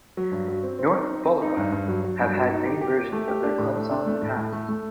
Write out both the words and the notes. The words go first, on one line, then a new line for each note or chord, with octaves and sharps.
North Ballarat have had many versions of their club song in the past.
F#3
G2
F#3
C4
C4
D#4
C4
C4
D#4
G2
G2
F#3
F#3
G2
F#3
D#4
G4
G4
G4
A3
G4
D4
A2
A3
D4
A3
A2
A2
A3
A3